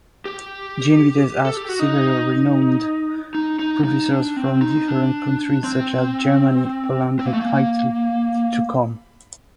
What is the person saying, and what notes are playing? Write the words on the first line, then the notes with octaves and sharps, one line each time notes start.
Jean Vitéz asked several renowned professors from different countries such as Germany, Poland, and Italy to come.
G4
A4
G4
F#4
D#4
D#4
D#4
D#4
D4
C4
D#4
D4
C4
C4
A#3
A3
A#3